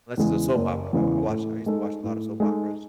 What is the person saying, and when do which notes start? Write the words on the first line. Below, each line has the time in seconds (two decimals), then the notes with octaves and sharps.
unless it's a soap opera, I I watch I used to watch a lot of soap operas.
0.17 E2 C#3 E3 G#3
0.55 F#1
0.93 E2 C#3 E3 G#3
1.29 A2
1.66 G#3 D#4 A4
2.04 A2
2.40 G#3 D#4 A4